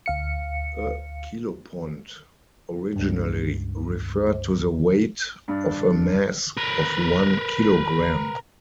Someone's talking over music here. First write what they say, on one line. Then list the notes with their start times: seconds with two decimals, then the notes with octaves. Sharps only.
A kilopond originally referred to the weight of a mass of one kilogram.
0.06 D2 F5 C#7
2.96 C#2 G2
5.48 G2 D4
6.57 A#4 B4